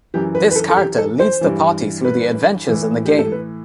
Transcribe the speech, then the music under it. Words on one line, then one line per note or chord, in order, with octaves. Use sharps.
This character leads the party through the adventures in the game.
F#2 E3 G4
B4
B4
A4
A4
G4
A4
C5
G2 E3
B4
A2 E3
G4
A4
B4